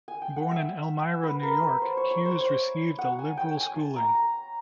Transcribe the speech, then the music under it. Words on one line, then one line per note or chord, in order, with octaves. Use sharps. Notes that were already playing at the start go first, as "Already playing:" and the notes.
Born in Elmira, New York, Hughes received a liberal schooling.
G#5
G5
F#5
E5
B4
A#4
B4
C5
C#5
C#5
C5
C#5
F#5
G#5
G5
G#5
A5
A#5
A#5